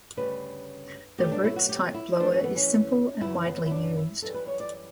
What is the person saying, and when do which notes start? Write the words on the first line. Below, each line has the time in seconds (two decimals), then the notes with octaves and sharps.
The Roots-type blower is simple and widely used.
0.17 D2 C#3 G3 B4
1.18 B2 F#3 A3 G4
1.32 D4
1.44 E4
1.56 F#4
1.69 G4
1.94 E4
2.19 F#2 E3 A3 D4
2.32 C#4
2.44 B3
2.56 C#4
3.21 F#2 C#3 E3 E4
3.45 B3
3.66 E4
3.71 D4
3.96 E4
4.22 F#2 E3 G3 A4
4.34 B4
4.47 C#5
4.60 D5